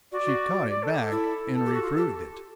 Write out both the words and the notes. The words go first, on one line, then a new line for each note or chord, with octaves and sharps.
She caught it back and reproved it.
F#4 D5
F#4
D5
A4
A4
E4
A4
G4
F#4
F4
G4